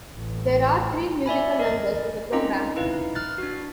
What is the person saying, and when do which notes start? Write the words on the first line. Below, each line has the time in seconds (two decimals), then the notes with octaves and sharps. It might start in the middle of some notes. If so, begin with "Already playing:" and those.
There are three musical numbers in the program.
0.16 A1
1.26 D5 E5 G#5 B5
1.59 A#4 D#5 A6
2.32 C4 C#4 D#4 F4 D#5 A#5
2.76 D#4 E4 B4 F5
3.15 F6 F#6 A6
3.38 D4 F#4